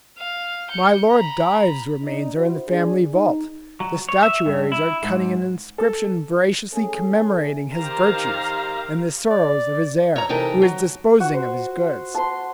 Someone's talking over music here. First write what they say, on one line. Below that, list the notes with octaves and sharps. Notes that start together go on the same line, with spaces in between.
My Lord Dives's remains are in the family vault: the statuaries are cutting an inscription veraciously commemorating his virtues, and the sorrows of his heir, who is disposing of his goods.
F5
G6 C#7
A#5 B5
D4 D#4
E4 F#4 C5
D4 G#4
D#4
F#3
C#5
E5
G2
E4
G#2
A4
A3 C#4 G#4 A4
D#3 G4 C5 F5 A#5
D5
C#5 A#5
C3 E3 D#4 A4 A#4
F#3
F#4
C5
A5 C6